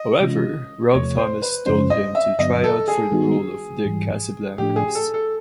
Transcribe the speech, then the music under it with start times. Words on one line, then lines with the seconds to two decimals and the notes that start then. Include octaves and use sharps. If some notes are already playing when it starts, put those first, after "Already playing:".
However, Rob Thomas told him to try out for the role of Dick Casablancas.
Already playing: D#5
0.20 C3 E3 G#3 C#4 F4
0.93 E2 C3 F3 A3 C#5
1.18 C5
1.42 B4
1.66 F#2 C#3 F3 G#3 C#4 C5
1.90 D#5
2.15 E5
2.39 G2 D3 F#3 B3 D#5
2.64 A4
2.88 G#4
3.12 D#3 G3 B3 D#4 F#4
3.85 G#2 E3 G3
4.58 A2 F3 A3 D4 G4
4.76 G#4
4.95 A4
5.14 A4